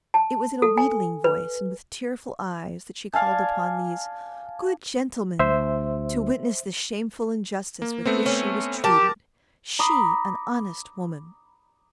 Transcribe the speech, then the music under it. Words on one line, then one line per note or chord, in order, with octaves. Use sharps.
It was in a wheedling voice, and with tearful eyes, that she called upon these "good gentlemen" to witness the shameful injustice with which she was treated--she, an honest woman.
A5
A4
G#5
B4
D5 F5 G#5 A5
D2 C5 E5
A#3
A3 B3 C4
C#4
G4 A#4 A5
A#5 B5 D6 D#6 B6 C7